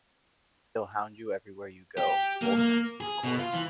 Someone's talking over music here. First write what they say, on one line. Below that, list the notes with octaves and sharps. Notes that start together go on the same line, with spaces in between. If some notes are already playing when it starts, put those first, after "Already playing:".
He'll hound you everywhere you go, both ends of the court.
G4
A#3
A#3
G#4
B2
F4
E3